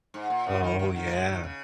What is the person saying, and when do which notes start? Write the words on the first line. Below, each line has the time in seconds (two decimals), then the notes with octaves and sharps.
Oh, yeah.
0.14 G#2
0.30 A#2
0.46 C#3
0.63 D#3
0.79 D#3
0.88 F#3
0.96 D#3
1.07 A#3
1.11 G#3
1.28 D#3
1.44 C#3